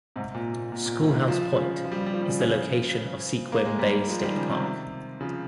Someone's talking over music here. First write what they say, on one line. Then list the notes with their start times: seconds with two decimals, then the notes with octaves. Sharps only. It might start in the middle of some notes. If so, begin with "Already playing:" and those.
Schoolhouse Point is the location of Sequim Bay State Park.
0.16 G#2 C3
0.34 A#2
0.54 A#2
0.72 A#2
0.86 A#2
1.00 G#2 C3
1.08 C#3
1.14 C3 D#3
1.28 C#3 F3
1.56 C#3 F3
1.84 F3
1.92 G3
1.99 F3
2.06 G3
2.14 F3
2.22 G3
2.28 C#3 F3
2.40 C#3 F3
3.52 A#3
3.65 G#3
3.79 G3 A#3
4.08 F3 G#3
4.22 D#3 G3
4.36 C#3 F3
4.50 C3 D#3
5.21 C#3 F3